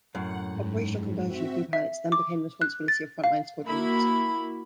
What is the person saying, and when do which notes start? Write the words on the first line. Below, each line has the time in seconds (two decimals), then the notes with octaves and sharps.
Operational conversion of new pilots then became the responsibility of front-line squadrons.
0.15 F#2 A2 F#5
0.50 G#2
1.24 C4 F#4 E5
1.73 E5
2.12 D6
2.62 F#6
2.88 A6
3.24 F5
3.67 A#3 E4 F#4 B5